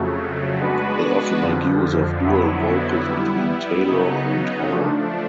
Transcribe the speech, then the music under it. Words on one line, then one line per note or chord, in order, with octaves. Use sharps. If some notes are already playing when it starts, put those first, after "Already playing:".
They often make use of dual vocals between Taylor and Hall.
Already playing: F2 C#3 F#3 A3
G#3 B3 D4 F#4 B4
F2 D3 F3
F2 D3 F#3 B3 E4
G3 B3 E4
C#3 F#3 B3 D#4
F3 A3 D4